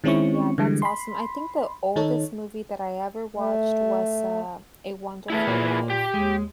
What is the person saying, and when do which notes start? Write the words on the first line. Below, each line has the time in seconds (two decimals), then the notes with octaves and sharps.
Yeah, that's awesome. I think the oldest movie that I ever watched was, uh, A Wonderful Life,
0.04 D#3 G#3 C4 C#4 E4 C#6
0.58 D3 E3 G3 G#3
0.82 B5 C6
1.96 D#3 D#4 A4 C#5
3.36 A3
5.30 A3 E4 G#4 B4
5.47 A#2 A#3
5.90 G4
6.14 D#2 G#3